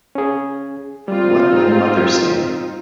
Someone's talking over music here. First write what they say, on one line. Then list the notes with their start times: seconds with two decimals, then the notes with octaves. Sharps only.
What will mother say?
0.15 C#4 G#4
1.08 G3 C4 D#4 F4